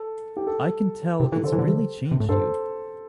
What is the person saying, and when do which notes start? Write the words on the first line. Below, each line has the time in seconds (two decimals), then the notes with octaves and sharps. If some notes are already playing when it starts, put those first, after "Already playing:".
I can tell it's really changed you.
Already playing: A4
0.37 G4
0.47 A4
1.20 C3 G4
1.32 E3 A4
1.44 D3 A4 C5
1.52 E3
1.59 D3
1.67 E3
1.74 D3
2.11 C3
2.20 A2
2.29 G2 A4 C5